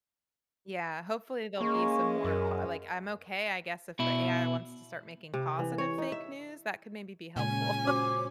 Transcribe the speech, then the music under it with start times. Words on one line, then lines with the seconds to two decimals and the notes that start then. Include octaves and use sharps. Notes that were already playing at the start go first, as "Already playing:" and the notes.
Yeah, hopefully, there'll be some more po like, I'm okay, I guess if the AI wants to start making positive fake news, that could maybe be helpful.
1.61 G#3 A#3 C#4 C#6
2.25 F#2 A#4
3.99 B2 E4
5.34 C3
5.59 E3
5.78 C#5
5.98 D#4
6.12 E5
7.36 A#2 C#3 G#3 C#4 G#5
7.85 F#4 C5 C#5 D6